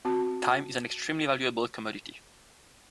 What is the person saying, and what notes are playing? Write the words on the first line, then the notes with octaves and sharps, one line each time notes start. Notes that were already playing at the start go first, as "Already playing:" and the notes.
Time is an extremely valuable commodity.
C4 F#4 A5